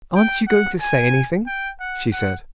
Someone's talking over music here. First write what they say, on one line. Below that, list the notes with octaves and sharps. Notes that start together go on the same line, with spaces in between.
"Aren't you going to say anything?" she said.
G5
F#5
G#5
G5
F#5
F#5